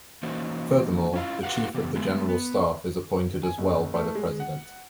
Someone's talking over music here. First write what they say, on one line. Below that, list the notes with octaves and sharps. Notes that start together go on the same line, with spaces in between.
Furthermore, the Chief of the General Staff is appointed as well by the President.
E3 A#3 C#4 D#4 F#4 C5
C#4 E4 F4 F5
F#4 G4 A4 B4 F5 F#5
C#3 E3 B3 G4
G#3 A3 B3
B3
G#5
F#1
A3
G#3
F#5